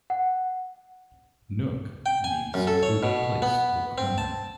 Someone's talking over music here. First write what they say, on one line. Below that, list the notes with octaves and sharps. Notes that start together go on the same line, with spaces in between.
"Nook" means secluded place or corner.
F#5
G5
G#5
F#2
A4
C#5
B2
B3
C4
A5